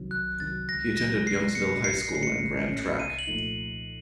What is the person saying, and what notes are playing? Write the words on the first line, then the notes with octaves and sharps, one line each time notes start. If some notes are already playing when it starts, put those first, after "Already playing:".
He attended Youngsville High School and ran track.
Already playing: C2 C3 D#3 F#3
C2 F#6
C3 D#3 F#3 A6
C#2 A#6
C3 F#3 A#3 A#6
C#2 C7
C3 F#3 A#3 C#7
A#1 C7
C7
A2 A3 C#4 C7
C#7
A#1
A2 A3 C#4
C2 D#7
F#7
A#2 F3 A3 D#4